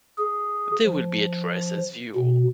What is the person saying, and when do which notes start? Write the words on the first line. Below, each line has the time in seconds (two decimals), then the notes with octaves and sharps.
They will be addressed as vul.
0.18 G#4
0.85 F3
2.16 B2